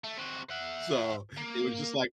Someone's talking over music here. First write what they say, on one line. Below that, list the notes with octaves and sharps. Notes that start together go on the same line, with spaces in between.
So it was just like
A3
C3 F#4
E5 F#5
A#3